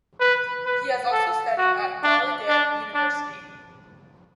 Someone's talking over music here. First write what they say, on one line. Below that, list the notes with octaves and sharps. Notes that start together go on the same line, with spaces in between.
He has also studied at Gallaudet University.
B4
B4
A4
F#4
D4
D4
D4